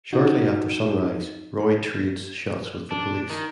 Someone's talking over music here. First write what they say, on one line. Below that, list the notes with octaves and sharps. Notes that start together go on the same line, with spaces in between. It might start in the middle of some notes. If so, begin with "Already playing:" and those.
Shortly after sunrise, Roy trades shots with the police.
D#4 F#4
D4
D#3